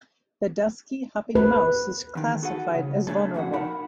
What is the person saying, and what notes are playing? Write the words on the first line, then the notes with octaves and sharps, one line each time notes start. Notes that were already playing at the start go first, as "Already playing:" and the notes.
The dusky hopping mouse is classified as vulnerable.
B4
E2 D#3
F#4 G#4 A4 B4 F#5
C#3
C#3 A3 A#3 D4 G#4 A4
F2 A2 F#4 F#5
D#4 A#4 F#5 A5 B5